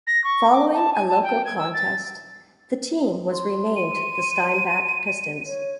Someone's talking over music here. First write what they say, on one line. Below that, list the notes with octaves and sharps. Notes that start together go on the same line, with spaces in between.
Following a local contest, the team was renamed the Steinbach Pistons.
A#6
C#6
D6
A5
G#5
A5
G5
G#6
E6
A6
C6
D#7
C#5